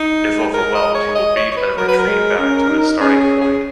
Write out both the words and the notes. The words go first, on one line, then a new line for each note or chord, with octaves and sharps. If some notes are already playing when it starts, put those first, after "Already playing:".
If overwhelmed, he will beat a retreat back to his starting point.
Already playing: D#4
G#3
A#4
D#5
C#5
D#5
C#5
C#5
B4
F#3 A#4
B4
A#4
G#3
C#4
D#4
C#4 G#4
G#4
G#4